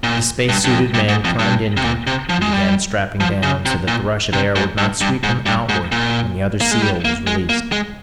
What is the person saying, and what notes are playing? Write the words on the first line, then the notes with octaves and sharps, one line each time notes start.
The spacesuited man climbed into it and began strapping down so that the rush of air would not sweep him outward when the other seal was released.
A#2
G2
G2
F2
G2
G#2
F2
G2
C3
A#2
C3
F3
G#3
G3
F3
C#3
C3
A#2
C3
G#2
G2
G2
G#2
G2
G#2
A#2
A#3
G#3
G3
A#3
G#3
A#3
G#3